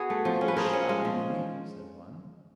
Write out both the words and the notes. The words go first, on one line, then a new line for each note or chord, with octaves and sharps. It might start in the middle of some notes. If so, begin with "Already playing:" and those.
"A pretty good shot, Mealy!" said one.
Already playing: B3 F#4 G#4
A3
F3
C#4
B4
F3 G#4 A#4
C#4
G#3
F3